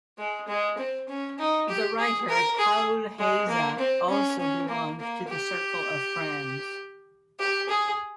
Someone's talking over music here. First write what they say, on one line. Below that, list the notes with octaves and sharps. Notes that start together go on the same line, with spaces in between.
The writer Paul Heyse also belonged to the circle of friends.
G#3
G#3
C4
C#4
D#4
G4
G#4
A#4
G#4
G#3
A#3
C4
C#4
C#4
A#3
A#3
G4
G4
G#4